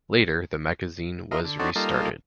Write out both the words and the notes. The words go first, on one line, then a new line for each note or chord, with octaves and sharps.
Later the magazine was restarted.
E4 F4 A#4 D#5
D3
C4 D4 D#4 F#4 A4 C#5
G3 A#3 D#4 F4 A4